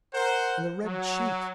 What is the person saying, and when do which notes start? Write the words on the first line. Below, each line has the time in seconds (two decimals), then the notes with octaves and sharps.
And the red cheeks!
0.14 A#4 C5 F#5
0.84 F#3